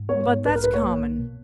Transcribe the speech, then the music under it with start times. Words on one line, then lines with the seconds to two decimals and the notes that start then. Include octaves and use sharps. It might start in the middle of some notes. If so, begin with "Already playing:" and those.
'But that's common.
Already playing: G#2
0.09 B3 C#5
0.28 G#2
0.46 B1 B4
0.55 A#4
0.64 B1 B4
0.74 C#5
0.82 A#3
1.01 B1
1.19 B2